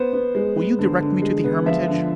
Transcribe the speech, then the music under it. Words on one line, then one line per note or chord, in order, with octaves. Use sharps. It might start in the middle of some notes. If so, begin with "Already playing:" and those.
'Will you direct me to the Hermitage?
Already playing: B3 C5
B3
G#3
B3
D3
D3
G#3
B3
F3 E5
D3